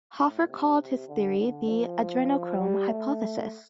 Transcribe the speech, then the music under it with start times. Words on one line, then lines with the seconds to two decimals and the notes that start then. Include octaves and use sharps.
Hoffer called his theory the "adrenochrome hypothesis".
0.20 A2
0.49 C3
0.80 C3
1.09 D3
1.39 D3
1.69 F3
2.59 G3
2.89 A3